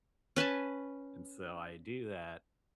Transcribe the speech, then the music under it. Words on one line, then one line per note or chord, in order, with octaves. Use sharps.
and so, I do that.
C#4 B4 G#5 A5